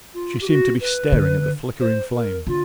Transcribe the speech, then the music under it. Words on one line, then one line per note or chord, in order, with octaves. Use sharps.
She seemed to be staring at the flickering flame.
F4
G4
F#4
B4
D3
C5
A#4
D3 F4